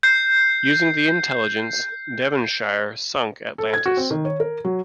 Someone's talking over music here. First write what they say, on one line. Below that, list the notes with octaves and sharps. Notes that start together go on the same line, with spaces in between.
Using the intelligence, "Devonshire" sunk "Atlantis".
G6 C7
A4
G#6
F#4
C4
D#3
C#5
A#4
F#3